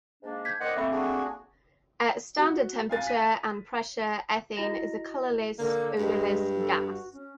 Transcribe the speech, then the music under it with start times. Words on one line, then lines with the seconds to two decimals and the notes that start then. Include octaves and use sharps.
At standard temperature and pressure, ethane is a colorless, odorless gas.
0.23 G#2 A#3 D4
0.45 G6 G#6 B6
0.60 D#3 C5 D5 D#5 F#5
0.76 A3 A#3 C4 E5 B5 C#6
0.91 D4 F#4 G#4
2.38 F#4
2.89 F5 G#5 A6
3.07 B6 D#7
4.57 E4 F#4 D#5 A#5 A#6
5.59 D3 A#3
5.98 G2 G#3
6.57 A4
6.85 F#4
7.13 C#4